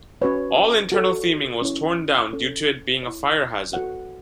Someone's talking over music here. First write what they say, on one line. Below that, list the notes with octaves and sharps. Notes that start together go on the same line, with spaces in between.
All internal theming was torn down due to it being a fire hazard.
C#4 F#4 B4 C#5
F#4 A4 C#5
C#4 E4 C#5
C#4 A4 C#5
E4 C#5
F#4 A4 C#5 F#5